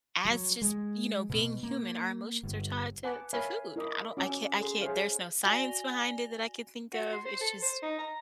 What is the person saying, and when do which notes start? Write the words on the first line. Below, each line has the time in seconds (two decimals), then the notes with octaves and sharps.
as just you know, being human, our emotions are tied to to food. I don't I can't I can't, there's no science behind it that I could think of It's just
0.25 F#3
0.62 G#3
1.30 B2
1.63 A#3
2.43 G1
3.04 B4 F#5 G#5 A5 D6
3.33 A#4 C#5 E5 F5 G#5 B5
3.76 E4 A#4 D#5 E5 D6
4.17 C#4 F#4 D6 E6
4.58 G#4 A4 C6
4.81 G#4 C5 C#5 E5 F5
5.45 F#4 D5 G#5 A#6 F7 G7
6.93 F#4
7.13 C6
7.25 C5
7.41 A4
7.62 C5
7.83 D#4
7.99 A#5